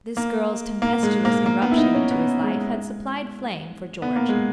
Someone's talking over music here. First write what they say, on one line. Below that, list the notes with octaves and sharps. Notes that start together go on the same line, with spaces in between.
This girl's tempestuous irruption into his life had supplied flame for George.
A#3
A#3
G#3
A#3
A#3
B3
E4
D#4
C#4
B3
G#3
B3
A#3
G#3